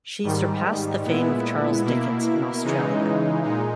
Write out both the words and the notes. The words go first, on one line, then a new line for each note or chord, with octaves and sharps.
She surpassed the fame of Charles Dickens in Australia.
G#2 D#3 G3
A#2 G#3 B3 E4
B2 A#3 E4
C#3 E3 G#3 D#4
A#2 G#3 D#4